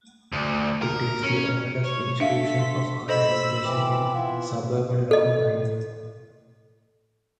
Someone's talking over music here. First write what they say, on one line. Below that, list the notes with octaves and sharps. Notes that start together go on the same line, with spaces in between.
It is the oldest institution of higher education in suburban Long Island.
D2
A#4
C#4
C#5
D4 A4 E5 F5 B6
C6
A4 C5 D#5 B5 E6
E3 C4 D6
E3 B3 E4 F4
A4 D#5